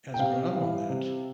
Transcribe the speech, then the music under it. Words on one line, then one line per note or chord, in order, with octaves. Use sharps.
has grown up on that,
G5
C3 F5
E3 G3
C3